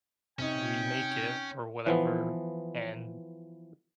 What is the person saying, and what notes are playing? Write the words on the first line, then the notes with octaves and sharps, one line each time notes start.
remake it or whatever, and
C3 C#4 D#4 G5
E3 F3 B3